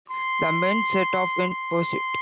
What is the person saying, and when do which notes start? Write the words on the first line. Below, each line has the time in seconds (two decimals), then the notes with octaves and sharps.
The men set off in pursuit.
0.11 C6
1.50 C6